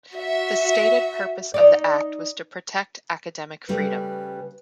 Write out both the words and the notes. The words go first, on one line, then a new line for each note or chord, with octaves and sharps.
The stated purpose of the Act was to protect academic freedom.
F#4 E5
D#4 D5
C#3 G3 A3 B4